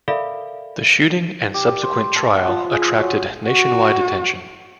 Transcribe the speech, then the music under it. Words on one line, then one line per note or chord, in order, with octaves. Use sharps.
The shooting and subsequent trial attracted nationwide attention.
A4 A#4 D5 E5 F5 B5
G4
C5
A5
F#5
F3
G#4
F#3
F#4